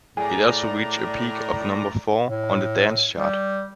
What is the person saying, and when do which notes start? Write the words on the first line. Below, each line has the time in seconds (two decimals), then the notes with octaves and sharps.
It also reached a peak of number four on the Dance chart.
0.17 A2 G#4 D5 A#5
2.28 A2
3.17 G3